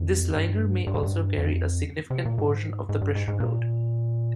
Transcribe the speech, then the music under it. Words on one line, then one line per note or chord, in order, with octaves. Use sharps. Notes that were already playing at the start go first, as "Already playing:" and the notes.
This liner may also carry a significant portion of the pressure load.
Already playing: F2
G2
G2
G#2
G2
F2
C3
A#2
G#2
G#2
G2
G#2
G#2
A#2